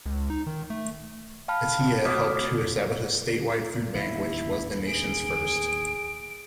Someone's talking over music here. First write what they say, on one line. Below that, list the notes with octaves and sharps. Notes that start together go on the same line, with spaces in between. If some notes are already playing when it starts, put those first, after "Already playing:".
Atiyeh helped to establish a statewide food bank, which was the nation's first.
C#2
D#4
D#3
A3
F5 G5 A5 B5 F6
A3 F#4 D6 D#6 F6 B6
D#2 A2 C#3 E4
G#4 D7